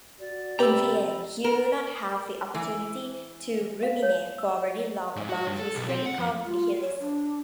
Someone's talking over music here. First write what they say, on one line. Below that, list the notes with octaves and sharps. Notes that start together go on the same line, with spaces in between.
In the end, he will not have the opportunity to ruminate for very long about his radical nihilism.
F#4 D5
C3 G4 A#5 B5 E6
A#4
E3
F5
C#5
E6
G#2
F#4
G2
A4
B1
C4
F#5
F2
F4
C#5
D4